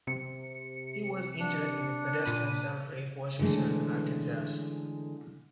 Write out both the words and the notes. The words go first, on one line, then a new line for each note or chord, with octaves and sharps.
He was interred in the Presbyterian Cemetery, Washington, Arkansas.
C3 C#7
D4
A#2 B5 D#7
D3 E3 G#3 A3 C#4